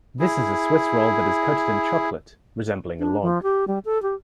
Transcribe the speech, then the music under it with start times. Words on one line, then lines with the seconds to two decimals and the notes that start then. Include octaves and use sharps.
This is a Swiss roll that is coated in chocolate, resembling a log.
0.20 E4 G#4
3.00 D4
3.22 F3
3.43 G4
3.68 G3
3.85 A4
4.03 G4